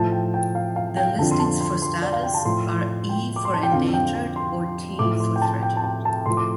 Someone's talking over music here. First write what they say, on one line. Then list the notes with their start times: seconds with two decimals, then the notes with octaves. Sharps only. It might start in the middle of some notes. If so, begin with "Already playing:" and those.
The listings for status are E for endangered or T for threatened.
Already playing: A2 F3 A5
0.12 G5
0.34 G5
0.55 F5
0.76 F5
0.97 G5
1.19 F2 D3 F3 A5
1.31 C6
1.39 A5
1.61 C6
1.82 C6
2.02 D5
2.13 F5
2.23 G5
2.34 A5
2.45 A2 F3 C6
3.09 G5
3.36 D6
3.45 C6
3.54 A5
3.63 G5
3.72 F2 D3 F3 F5
3.94 G5
4.15 G5
4.36 C6
4.99 A2 F3 D6
5.20 C6
5.36 G5
5.42 A5
5.63 G5
5.77 A5
5.84 G5
6.05 A5
6.26 A2 F3 C6
6.37 D6